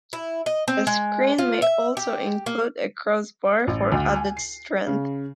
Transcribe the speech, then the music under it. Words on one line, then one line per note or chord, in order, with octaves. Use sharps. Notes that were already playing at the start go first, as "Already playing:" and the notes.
The screen may also include a crossbar for added strength.
E4
D#5
C4
G#3
F4
E5
G4
A#3
A1
D2
G#5
C7
C#3